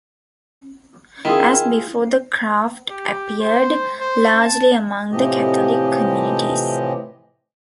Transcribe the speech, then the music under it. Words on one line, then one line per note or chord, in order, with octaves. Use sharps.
As before, the craft appeared largely among the Catholic communities.
D#3 E4 F4 G#4
G4
C5
C5
A5
A2 C3 E3 F3 G4 D#5